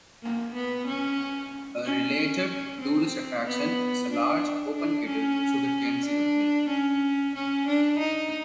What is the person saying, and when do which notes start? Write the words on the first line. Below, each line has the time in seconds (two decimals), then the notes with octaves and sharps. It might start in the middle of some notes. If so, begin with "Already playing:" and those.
A related tourist attraction is a large open-kettle sugarcane syrup mill.
0.22 A#3
0.54 B3
0.87 C#4
1.84 C#4
2.16 C#4
2.80 C4
3.46 B3
4.11 D4
4.76 D4
5.07 C#4
6.05 D4
6.69 C#4
7.35 C#4
7.67 D4
7.99 D#4